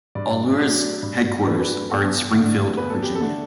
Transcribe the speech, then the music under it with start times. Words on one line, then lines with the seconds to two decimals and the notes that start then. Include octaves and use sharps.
Alhurra's headquarters are in Springfield, Virginia.
0.15 G2 D5
0.60 F#3 A3 D4
1.03 G2
1.46 F#3 A3 D4 B4
1.54 A4
1.60 B4
1.90 E2 A4
2.33 D3 A3 D4
2.77 E2 B4
2.90 A4
3.03 G4
3.15 A4
3.21 D3 A3 D4